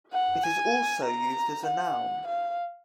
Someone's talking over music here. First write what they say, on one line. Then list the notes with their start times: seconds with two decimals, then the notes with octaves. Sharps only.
It is also used as a noun.
0.13 F#5
0.43 G#5
1.05 A#5
1.66 F#5
2.27 F5